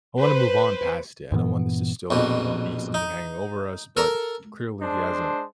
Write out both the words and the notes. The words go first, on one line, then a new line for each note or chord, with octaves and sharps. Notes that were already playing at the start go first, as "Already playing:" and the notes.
I wanna move on past it; I don't want this to still, you know, be something hanging over us, but clearly, he hasn't,
B4 C5
G2 A#2 E3 B3
A#1 F2 B2
D#4
A4 A#4 A#5
G#3 D4 C5 A5